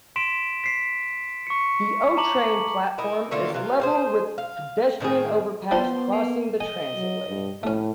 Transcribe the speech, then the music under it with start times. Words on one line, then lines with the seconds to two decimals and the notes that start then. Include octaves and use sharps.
The O-Train platform is level with the pedestrian overpass crossing the transitway.
0.16 C6 B6 D7 E7
0.64 B6 C7
1.47 C#6 C#7
2.17 A5 A#5 D6 F#7
2.98 D#4 E4 A#4
3.31 D3 A3 A#3 F4
3.53 C3 E3 F4
3.80 D#4 G#4 C5
4.38 F5
5.00 A2 D#3 D#4 G#4
5.71 F3 B3 D4 C5
6.13 A#3
6.61 D#5 G#5
6.96 F#3
7.29 G2
7.63 A2 A3 C#4